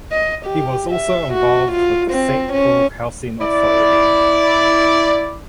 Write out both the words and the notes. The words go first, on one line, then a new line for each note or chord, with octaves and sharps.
He was also involved with the Saint Paul Housing Authority.
D#5
G4
E5
F#4
F4
C4
C#4
E4 D5